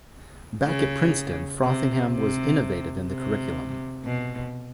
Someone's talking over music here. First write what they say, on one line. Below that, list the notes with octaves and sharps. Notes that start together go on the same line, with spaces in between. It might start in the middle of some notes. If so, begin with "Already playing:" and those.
Back at Princeton, Frothingham was innovative in the curriculum.
C#3
C3
C3
C3
B2